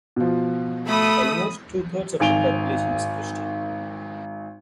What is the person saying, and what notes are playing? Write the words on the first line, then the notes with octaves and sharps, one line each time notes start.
Almost two-thirds of the population is Christian.
B2 F3
A3 B5 D#6
G#1 D#3 G#5 D7 F7 G7